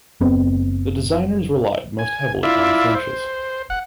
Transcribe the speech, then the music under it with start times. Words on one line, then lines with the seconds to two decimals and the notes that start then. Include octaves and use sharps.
The designers relied most heavily on trenches.
0.21 F#1 B3 C4
1.99 G#5
2.43 E4 F4 D5 E5
2.95 C5
3.70 F#5